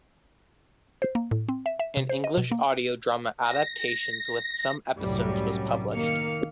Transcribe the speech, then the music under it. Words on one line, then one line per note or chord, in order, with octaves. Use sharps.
An English Audio drama adaptation with some episodes was published.
C5
A#3
A2
C4
E5
E5
C3
C5
D#5
B2
A#3
A#6
C2 F#2 A2 F#3 G3
D#3 A#3 F5 F6 C#7